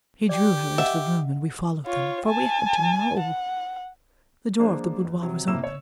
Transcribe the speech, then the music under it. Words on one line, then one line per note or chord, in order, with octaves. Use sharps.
He drew her into the room and we followed them,--for we had to know!--The door of the boudoir was open.
G4 D5 G5
D#5 E5 F#5
F4 C#5
G#5 A5
F#5
F3 G#3 A#3 D4
E2
C3 F#3
F#1 A2 C3 A#3 E6 E7
C#5